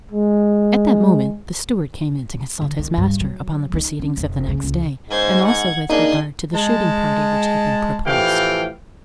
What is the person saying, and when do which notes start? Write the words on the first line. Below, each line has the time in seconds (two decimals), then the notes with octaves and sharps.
At that moment the steward came in to consult his master upon the proceedings of the next day and also with regard to the shooting party which had been proposed.
0.11 G#3
2.61 D3
2.79 D#3
2.97 G2
3.21 F#3
3.74 D#4
3.99 C#4
4.17 F1
4.49 C#3
4.63 C#2
5.10 G#2 C5 G#6
5.46 F#5 G#6
5.90 A#3 D4 D#4 G#4 C6
6.53 G#3 A5
8.06 A2 E3 F3 G4 F5 G5